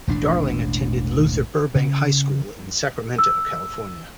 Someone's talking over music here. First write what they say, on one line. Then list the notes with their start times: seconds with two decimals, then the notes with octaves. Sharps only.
Darling attended Luther Burbank High School in Sacramento, California.
0.07 E1 A1 D4
1.75 C#3
3.19 E6